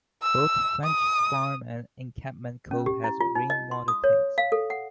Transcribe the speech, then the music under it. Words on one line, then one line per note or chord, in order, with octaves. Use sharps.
Both Frenchs Farm and Encampment Cove have rainwater tanks.
E6
D#6
C#4
G4
E4
F4
D#4
D#5
C6
D#6
C#5
F5
A4
F#5